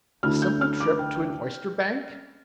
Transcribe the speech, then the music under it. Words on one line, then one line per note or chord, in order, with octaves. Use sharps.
"A simple trip to an oysterbank?"
D2 D3 A3 E4 F6
G6
F6
D6
G5